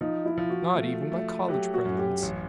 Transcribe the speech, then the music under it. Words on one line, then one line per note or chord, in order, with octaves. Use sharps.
Not even by college presidents.
F3 D#4
E4
F3
F#4
A3
A3
F#3 G4
F#4
F#2
G4
A1